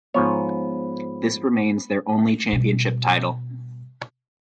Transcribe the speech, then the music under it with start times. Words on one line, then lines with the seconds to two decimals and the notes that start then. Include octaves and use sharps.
This remains their only championship title.
0.14 G#2 F3 B3 C#5
2.52 B2 G3